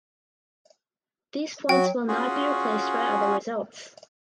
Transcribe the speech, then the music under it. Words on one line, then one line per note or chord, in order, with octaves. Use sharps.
These points will not be replaced by other results.
F#3 F#4 G5
C#4 F4 F#4 G#4